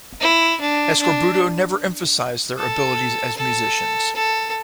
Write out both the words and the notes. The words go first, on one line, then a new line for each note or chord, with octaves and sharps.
Eskorbuto never emphasized their abilities as musicians.
E4
D4
D4
A4
A4
A4